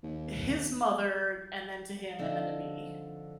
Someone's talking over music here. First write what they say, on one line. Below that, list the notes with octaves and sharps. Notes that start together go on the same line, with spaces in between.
His mother, and then to him and then to me.
D#2
D3 F3 C4 D4 D#4